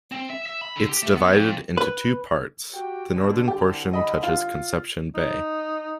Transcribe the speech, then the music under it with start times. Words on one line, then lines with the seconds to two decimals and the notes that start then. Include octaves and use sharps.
It's divided into two parts, the northern portion touches Conception Bay.
0.12 C4
0.30 E5
0.46 E5
0.61 B5
0.76 D3
0.89 G4
1.03 A3
1.16 B3
1.33 F2
1.77 B4
2.74 F#4 G4 G5
3.13 B2 D3
3.48 C2 D3 G4
3.93 D#5 B5
4.23 F4
5.15 D#4